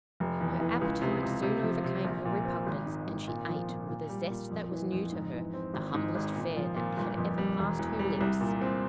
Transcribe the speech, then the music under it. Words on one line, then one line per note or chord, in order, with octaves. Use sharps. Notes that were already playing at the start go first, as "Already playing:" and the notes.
Her appetite soon overcame her repugnance, and she ate, with a zest that was new to her, the humblest fare that had ever passed her lips.
F1
E2
E3
C#2
C3
C#2
C3
F3
C3
A#1
A#2
C4
G#1
G#2
G#1
A#2
F3
A#2
A#2
G3
A#2
F2
E3
F2
G#2
E3
C4
G#1
G#2
G#1
A#2
F3
A#2
G1
F2
G3
E1
E2
G3
C2
A#2
C4